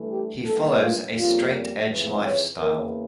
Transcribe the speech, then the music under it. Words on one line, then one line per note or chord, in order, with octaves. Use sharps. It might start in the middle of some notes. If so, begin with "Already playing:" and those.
He follows a straight edge lifestyle.
Already playing: G2 E3 A3
G4
G2 E3 A#3 A4
F4
F2 C#3 G3 A#3 F4
F2 C#3 E3
C#5
E2 C#3 E3 A#3 A#4